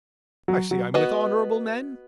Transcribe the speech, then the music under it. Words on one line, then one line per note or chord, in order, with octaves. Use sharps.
I see I'm with honorable men.
F#3
F#3
B3 F#4 B4 D#5